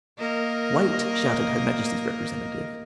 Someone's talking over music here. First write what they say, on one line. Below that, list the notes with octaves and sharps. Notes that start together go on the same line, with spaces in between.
"Wait!" shouted Her Majesty's representative.
A#3 A#4 D#5